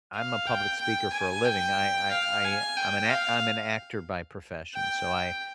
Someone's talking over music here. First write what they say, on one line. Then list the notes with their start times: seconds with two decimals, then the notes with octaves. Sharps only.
I'm a public speaker for a living. I I I I'm an act I'm an actor by profession, so I
0.14 F5
0.46 G5
0.80 G5
1.12 G#5
1.45 G5
2.11 F5
2.44 G#5
2.77 G5
3.10 F5
4.74 G5